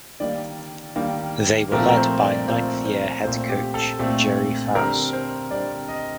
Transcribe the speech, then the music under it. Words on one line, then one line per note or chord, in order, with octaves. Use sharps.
They were led by ninth–year head coach Gerry Faust.
D#3 G3 A#3 D5
D#3 G3 A#3
A#2 F3 A3 C4 A#4
A#4
C5
D5
A#2 F3 A3 C4 C5
C5
A#2 A3 C4 C5
G4
A4
A#2 A3 C4
D3 G3 C4 A#4
C5
D3 G3 C4 D5
D#5